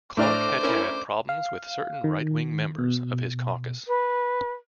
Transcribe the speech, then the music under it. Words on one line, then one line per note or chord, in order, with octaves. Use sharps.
Clark had had problems with certain right-wing members of his caucus.
A2 A3 D4 C5 D5 D6 F6 A#6
C#4 E4 A#4
F5
D#3
B2
B4